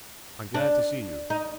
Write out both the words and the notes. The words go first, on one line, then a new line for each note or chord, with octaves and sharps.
I am glad to see you.
D4
D#4